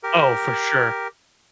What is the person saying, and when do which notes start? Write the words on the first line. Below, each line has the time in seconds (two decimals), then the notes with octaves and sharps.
Oh, for sure.
0.03 G4 A#4